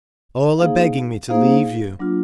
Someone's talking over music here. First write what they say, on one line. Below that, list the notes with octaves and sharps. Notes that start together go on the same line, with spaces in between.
All a-begging me to leave you.
A#3 D#4 G#4 C5 F5
A#3 D#4 G#4 C5 F5
F#3 A#3 D4 F4